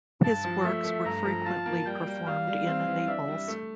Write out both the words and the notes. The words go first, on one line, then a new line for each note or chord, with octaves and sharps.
His works were frequently performed in Naples.
G2 A5
F3
A3 E5
A3
G2 A#5
F3
F4 A5
A#3
G3 G5
G3
G3 F5
G3
C4
E3
D4 E5
G3
A3